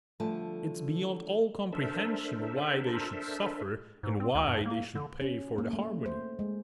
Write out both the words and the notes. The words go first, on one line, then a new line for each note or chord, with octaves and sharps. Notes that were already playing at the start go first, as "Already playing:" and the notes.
It's beyond all comprehension why they should suffer, and why they should pay for the harmony.
D3 F3 G3 A3 A5
D4 A4 A#4 C5 E5
G#2
C4
D2
G2
A#3
D3
C#4
A#3
A3
C5
G#3